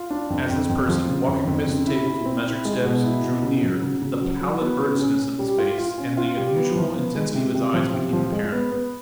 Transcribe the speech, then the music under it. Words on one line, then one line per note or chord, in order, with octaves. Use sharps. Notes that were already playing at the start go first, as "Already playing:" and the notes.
As this person, walking amidst the tables with measured steps, drew near, the pallid earnestness of his face and the unusual intensity of his eyes became apparent.
Already playing: F4
D4
F2
F2
F2
F3
C#3
F2
F2
C#3
E4
E4
C4
E4
G#3
B2
E4
B2
C#3
F#3
C#3
C#3
F#3
F#3
B3
C#3
C#4
C#4
G3
F4
F4
C#4
F4
G3
B3
F3
B3
G#3
C3
C3
F3
C3
F3
G#3
B3
B3